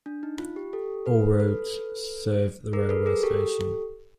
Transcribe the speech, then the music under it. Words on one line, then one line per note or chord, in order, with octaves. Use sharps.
All routes serve the railway station.
D4
D#4
F4
G4
G4 A4
A4 B4
A4 B4
G#4 A#4
A4 B4
G#4 A#4
G4 A4